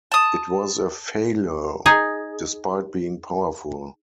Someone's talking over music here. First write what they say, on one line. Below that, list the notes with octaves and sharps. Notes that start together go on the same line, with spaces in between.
It was a failure despite being powerful.
A5 D#6
D#4 G#4